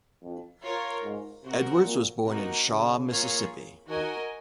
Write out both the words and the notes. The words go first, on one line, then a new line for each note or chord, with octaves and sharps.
Edwards was born in Shaw, Mississippi.
F2
F4 A#4 C#5
G#2
C3 C4 F#4 A#4
A#2
C3 A#3 D#4 F#4 A#4
C#3
A#3 F4 G#4 C#5
D#3 F#4 A#4 D#5 G#5